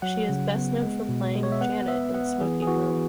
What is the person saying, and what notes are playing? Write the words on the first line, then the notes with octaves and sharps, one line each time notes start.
She is best known for playing Janet in "The Smoking Room".
F#3 F#5
C#3
B3
G#3
B2
G#3
C#5
E5
B3 F#5
B3 E5
B3 F#5
E3 G#4
G#4
E3 F#4